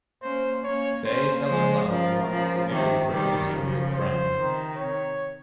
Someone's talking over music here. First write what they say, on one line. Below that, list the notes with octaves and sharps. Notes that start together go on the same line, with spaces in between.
Fei fell in love and wanted to marry her only real friend.
A#3 C#4 C5
A#3 C#4 C#5
A#3 C#4 C5
F3 G#3 C5
C#3 F3 A#4
C#3 F3
C3 D#3
D#3 G3 A#4
C#3 F3
C5
C3 D#3
C#5